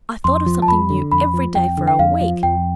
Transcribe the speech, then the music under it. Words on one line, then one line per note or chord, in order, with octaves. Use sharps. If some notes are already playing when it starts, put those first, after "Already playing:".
I thought of something new every day for a week.
F2 C6
F3
A5
F2 B5
D3
F2 B5
F3
F2 G5
D3
G5
F2 F5
F3
F2 G5